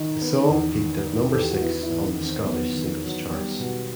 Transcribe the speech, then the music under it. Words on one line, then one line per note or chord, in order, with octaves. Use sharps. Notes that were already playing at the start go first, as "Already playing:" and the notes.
The song peaked at number six on the Scottish Singles Charts.
Already playing: D#3 D#4
B3
E2
D#3
D#3
E2 A4
G4
F#4
B3 E4
E4
E2
D#4
D#3
C4
F#3 B3
D#3
F#3
G3
B2